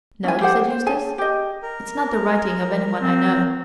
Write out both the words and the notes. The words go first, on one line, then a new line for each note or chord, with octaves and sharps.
"No," said Eustace; "it's not the writing of anyone I know."
C#4 E4 G#5
G4 G#4 C5 F#5
C5
G#4 G#5 A5
G4 D#5
A#4
C4